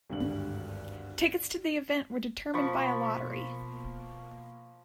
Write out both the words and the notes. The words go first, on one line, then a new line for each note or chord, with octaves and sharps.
Tickets to the event were determined by a lottery.
G#1 D2 G2 G4 F#7
B2 F3 A#3 B5 C#6